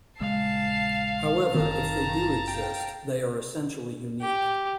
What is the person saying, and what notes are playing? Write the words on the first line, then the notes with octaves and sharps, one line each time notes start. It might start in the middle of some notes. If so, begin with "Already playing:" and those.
However, if they do exist, they are essentially unique.
A#1 C#3 G#3 F5 A5 C7
F#1 D#3 C4 A5 A#5
F5 G5
G4